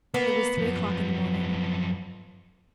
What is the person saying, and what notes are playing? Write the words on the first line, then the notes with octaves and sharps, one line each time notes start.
It was three o'clock in the morning.
A#3 B3
F#2 F3